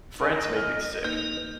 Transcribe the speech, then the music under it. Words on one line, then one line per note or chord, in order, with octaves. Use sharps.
France made me sick.
A#4 D#5 G#5
F6
A#3 D#4 B4 G6